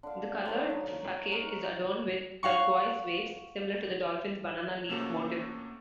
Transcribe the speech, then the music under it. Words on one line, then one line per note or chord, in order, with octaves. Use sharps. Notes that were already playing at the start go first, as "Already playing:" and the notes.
The colored facade is adorned with turquoise waves similar to the Dolphin's banana-leaf motif.
D3 F5
D3 F3 F#3
D#4
F#4 A#4 D#5
F5 F#5 C#6
C3 A3 A#3 C#4 F#4 A4